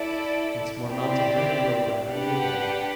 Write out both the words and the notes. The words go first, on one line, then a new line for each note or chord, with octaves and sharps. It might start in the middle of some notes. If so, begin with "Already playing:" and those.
Once more mounting her, he rode rapidly away.
Already playing: E4 A4 D5
C4 E4 G4 D5
D4 G4 B4 F#5